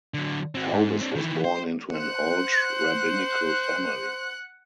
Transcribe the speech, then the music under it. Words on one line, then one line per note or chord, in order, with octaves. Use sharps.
Taubes was born into an old rabbinical family.
D3 F#3
C4 F#4
G#2
C4 D4
D#3 E3
C5
C5 F#5 F#6